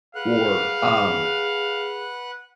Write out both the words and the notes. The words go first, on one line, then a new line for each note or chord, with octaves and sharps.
or, um,
G#4 B4 F5 F#5 F#6